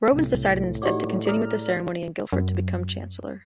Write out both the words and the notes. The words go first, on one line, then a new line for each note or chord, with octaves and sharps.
Robens decided instead to continue with the ceremony in Guildford to become Chancellor.
C2 A2 C3
D#4 F#4 G4 C#5 D5 D6
G#4 A4 D5 A#5 F6
F#2